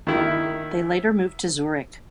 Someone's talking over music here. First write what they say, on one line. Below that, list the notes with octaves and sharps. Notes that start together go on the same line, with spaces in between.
They later moved to Zurich.
D#3 E4